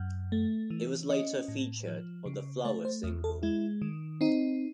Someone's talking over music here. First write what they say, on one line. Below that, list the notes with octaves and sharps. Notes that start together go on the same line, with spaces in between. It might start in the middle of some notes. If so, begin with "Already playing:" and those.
It was later featured on the "Flower" single.
Already playing: F#2
A3
E3
C#4 D#5
A2
F3
C#3
A3 C#5
C5
E2
A4
G#3 E4
D#3
C4 D#4